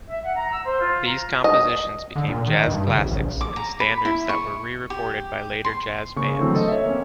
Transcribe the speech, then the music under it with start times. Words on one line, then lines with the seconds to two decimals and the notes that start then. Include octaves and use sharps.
These compositions became jazz classics and standards that were re-recorded by later jazz bands.
0.07 E5
0.24 F#5
0.36 A#5
0.49 E6
0.63 C5
0.79 F4
1.05 A#5
1.44 D#5
2.16 D3
2.28 A#2
2.47 D#3
2.67 G2
2.87 C#3
2.99 A1
3.11 A#1
3.41 D6
3.56 A#5
3.80 B5
4.05 E4
4.29 C#6
4.90 G4
5.65 C6
6.16 C#3 A#3 C#6
6.39 D3 E3 F#3 A3 C4
6.55 A4 D#5
6.68 C#5 E5
6.85 A#3 C4 C#4